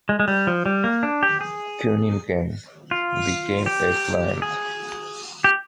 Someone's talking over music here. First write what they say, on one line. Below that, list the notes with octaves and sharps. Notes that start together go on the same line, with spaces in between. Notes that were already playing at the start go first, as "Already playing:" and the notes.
Cunningham became a client.
G#3
G#3
G3
F3
G3
A#3
D4
G4
G#4
F4
G4
G#4
G4